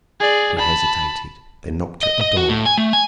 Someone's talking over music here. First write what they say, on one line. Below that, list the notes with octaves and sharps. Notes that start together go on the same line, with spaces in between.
He hesitated, then knocked at the door.
G#4 D5
A5 B5
D#5
D#5
F#4
A2
G#5
A3
G#5